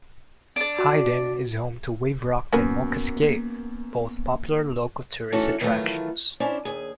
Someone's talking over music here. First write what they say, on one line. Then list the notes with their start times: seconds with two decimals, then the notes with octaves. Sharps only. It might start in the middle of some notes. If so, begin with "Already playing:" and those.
Hyden is home to Wave Rock and Mulka's Cave, both popular local tourist attractions.
0.56 D4 D5
0.79 F#4
2.53 F#2 A#3 B3 F#4 A#4 B4
5.32 E3 A3 C#4 D#4 F#4 A4
5.61 D#3 E3 F#3 G3 A3 F4
6.40 C#4 D4 E4 C5
6.65 D#2 G#4